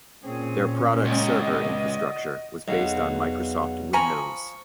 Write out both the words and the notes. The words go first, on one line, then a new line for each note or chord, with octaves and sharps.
Their product's server infrastructure was based on Microsoft Windows.
A#2 C4 C#4 G#4
C#2 F#4 D5 D#5
B1 E2 D#5 F5 F#5
F3 G#5 A#5 B5 C#6 C#7